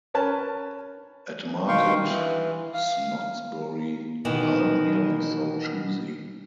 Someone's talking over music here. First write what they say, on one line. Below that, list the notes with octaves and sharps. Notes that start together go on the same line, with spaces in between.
At Market Snodsbury we aren't nearly so choosy.
C#4 A#4 B4 A5
B2 D#3 F5 G5 C6 C#6
E3
F5
B2 D#3 E3